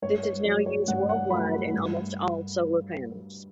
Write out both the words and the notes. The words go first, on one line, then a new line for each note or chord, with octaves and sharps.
This is now used worldwide in almost all solar panels.
G2 C#5
C#5
F#3 A3 D5
C#5
G2 F#5
F#5
F#3 A3 B5
G2